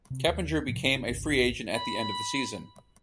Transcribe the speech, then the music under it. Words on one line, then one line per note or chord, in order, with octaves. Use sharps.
Keppinger became a free-agent at the end of the season.
C3 C4
D#2
A2 C3 F3
G1 C3 C4 C#4
G#1 C#2 C#3
B5